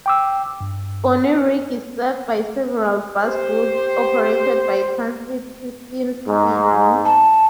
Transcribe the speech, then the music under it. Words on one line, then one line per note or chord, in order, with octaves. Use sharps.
Bonnyrigg is served by several bus routes operated by Transit Systems Sydney.
G5 D6 E6
G2
G4 C5
G#2
A5